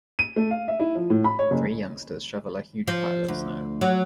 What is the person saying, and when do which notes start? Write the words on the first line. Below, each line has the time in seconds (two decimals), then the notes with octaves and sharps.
Three youngsters shovel a huge pile of snow.
0.19 D#7
0.36 A3
0.51 F5
0.68 E5
0.80 E4
0.95 F3
1.10 A2
1.24 B5
1.39 C#5
1.51 F#1
2.88 F3
3.28 D2
3.81 F#3